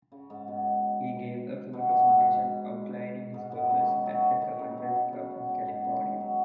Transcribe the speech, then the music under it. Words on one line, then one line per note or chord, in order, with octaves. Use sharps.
He gave a full presentation outlining his goals at the Commonwealth Club of California.
C#3
G#2
B2
B2
B2
G#2
G#2
B2
C#3
D#3
F#3
F#3
D#3
C#3
B2
B2
C#3
B2
G#2
B2
C#3
D#3
F#3